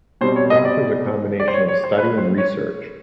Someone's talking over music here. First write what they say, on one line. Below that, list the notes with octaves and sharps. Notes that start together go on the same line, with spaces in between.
It offers a combination of study and research.
B2 G3 C4 C5
C#5
D#5
D5
D5
C5
C#5
C#5
C5
B4
C5
C#5